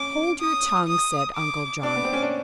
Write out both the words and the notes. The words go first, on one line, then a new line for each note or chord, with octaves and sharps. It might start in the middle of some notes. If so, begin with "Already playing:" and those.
"Hold your tongue," said Uncle John.
Already playing: C#4 D6
D#6
D#6
D6
D4 D6
B3
C4
C#4
D4